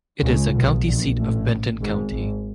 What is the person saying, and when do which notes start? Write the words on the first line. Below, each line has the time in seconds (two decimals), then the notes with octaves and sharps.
It is the county seat of Benton County.
0.23 C#2 C#3
0.54 B1 B2
0.86 A#1 A#2
1.18 A1 A2
1.81 G#1 G#2
2.13 G#1 G#2